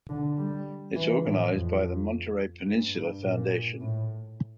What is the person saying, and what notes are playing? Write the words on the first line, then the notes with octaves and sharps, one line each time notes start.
It is organized by the Monterey Peninsula Foundation.
D3
G3
E3
A2
F2
G2
G2
A#2
A2